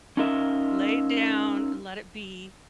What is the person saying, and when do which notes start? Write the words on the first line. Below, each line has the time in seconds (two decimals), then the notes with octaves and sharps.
lay it down and let it be,
0.17 C#4 D#4 F4 A#4 E5